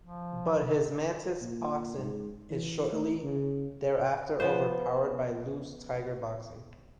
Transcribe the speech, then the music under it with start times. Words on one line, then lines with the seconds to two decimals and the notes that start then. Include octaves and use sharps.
But his Mantis boxing is shortly thereafter overpowered by Lu's Tiger boxing.
0.02 F3
1.41 A#2
1.97 G#2
2.51 E3
2.93 A3
3.23 C#3
4.40 F3 B3 C5